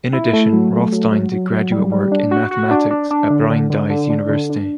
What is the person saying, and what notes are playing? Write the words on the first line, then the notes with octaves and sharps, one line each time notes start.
In addition, Rothstein did graduate work in mathematics at Brandeis University.
E4
A3
F#3
A3
F#3
F#3
F#3
F#3
G3
G3
D4
F#4
F#4
D4
D4
D4
D3
D3
D3
D3
D4
D3
D4